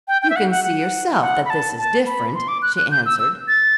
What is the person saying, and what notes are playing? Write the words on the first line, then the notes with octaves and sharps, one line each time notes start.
"You can see yourself that this is different," she answered.
G5
G5
E5
F#5
F#5
F#5
F#5
B5
A5
A5
B5
C6
D6
F#6
F#6
G6
E6
E6
A6